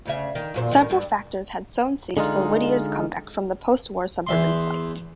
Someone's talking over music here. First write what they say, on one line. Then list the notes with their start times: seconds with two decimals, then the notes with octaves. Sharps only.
Several factors had sown seeds for Whittier's comeback from the post-war suburban flight.
0.05 D2 C#3 E5
0.35 D#3
0.54 F#2 A#2 C5
0.71 F#2 A2 D#3
0.90 G2 G3
2.17 D3 G#3 D#4 F4
4.27 E2 E5 C6